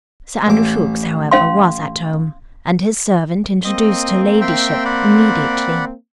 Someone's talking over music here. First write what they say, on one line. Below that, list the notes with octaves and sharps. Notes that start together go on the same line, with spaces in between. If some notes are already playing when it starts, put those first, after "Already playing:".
Sir Andrew Ffoulkes, however, was at home, and his servant introduced her ladyship immediately.
A1 D6
C#4 F5 C6
A#3 C4 D#5
E5 G5 C6
D5 F#5 B5